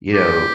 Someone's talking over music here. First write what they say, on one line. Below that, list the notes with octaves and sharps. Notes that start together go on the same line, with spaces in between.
you know,
G4